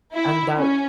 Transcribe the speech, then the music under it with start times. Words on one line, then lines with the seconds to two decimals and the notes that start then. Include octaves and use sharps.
And that
0.14 E4
0.58 C#4